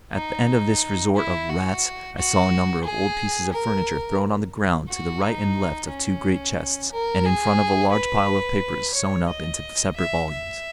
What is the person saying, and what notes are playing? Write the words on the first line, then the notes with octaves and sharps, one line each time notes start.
At the end of this resort of rats, I saw a number of old pieces of furniture thrown on the ground to the right and left of two great chests, and in front of a large pile of papers sewn up into separate volumes.
D#4
E4
F#4
F#4
G#4
A#4
F#4
D#4
C#4
A#4
G#4
B4
C#5
D#5
E5
E5